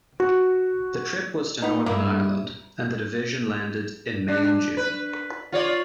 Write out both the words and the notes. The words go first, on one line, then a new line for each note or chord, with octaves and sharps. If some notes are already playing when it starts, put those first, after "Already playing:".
The trip was to Northern Ireland, and the division landed in May and June.
F#4
B3 D#4
G2 A#3 E4
D4
B4
F4 C#5 D5